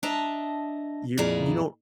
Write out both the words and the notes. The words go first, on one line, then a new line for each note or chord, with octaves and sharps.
you you don't
D4 D#5 E5 A5 A#5
F2 A#2 E4 G#4 D5 A#5